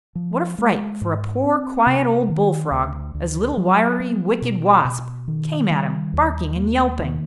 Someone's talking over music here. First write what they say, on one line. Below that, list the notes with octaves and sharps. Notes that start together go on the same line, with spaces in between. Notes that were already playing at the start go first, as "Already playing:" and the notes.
What a fright for a poor, quiet, old Bullfrog, as little wiry, wicked Wasp came at him, barking and yelping.
F3
G#3
G#2
C4
C3
D#3
D2
D2
F#3
B3
B2
B2
D#3
G3
D#2
A#3
D#3